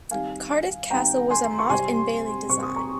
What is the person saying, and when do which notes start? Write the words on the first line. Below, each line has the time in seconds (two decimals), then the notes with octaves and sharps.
Cardiff Castle was a motte-and-bailey design.
0.11 D#3 G3 C4 F5 G#5
0.90 D#3 G3 C4 G5 A#5
1.30 G#5 C6
1.59 C#6
1.70 C3 G3 C4 G#5 C6
2.49 C3 G3 C4 C#6
2.63 D#6
2.76 A#5 C#6